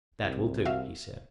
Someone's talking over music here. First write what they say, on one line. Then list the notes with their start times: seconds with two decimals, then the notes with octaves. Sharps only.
That will do, he said.
0.22 C2
0.65 F#4 E5 F5